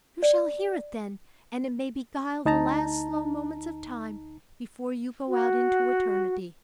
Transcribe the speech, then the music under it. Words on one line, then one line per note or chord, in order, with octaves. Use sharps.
"You shall hear it, then, and it may beguile the last slow moments of time before you go out into eternity."
D5
D2 D#4 A5 A#5
F#4